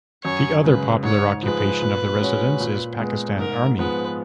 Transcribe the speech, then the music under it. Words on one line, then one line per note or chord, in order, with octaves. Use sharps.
The other popular occupation of the residents is Pakistan Army.
F#2 C#5
C#3 G#3 B4
G#2 C#5
F3 G#3 B4
A#2
G#3 C#4 F#4 C#5
A#2
G#3 B3
G#2 A#4
F3 G#3 B3 B4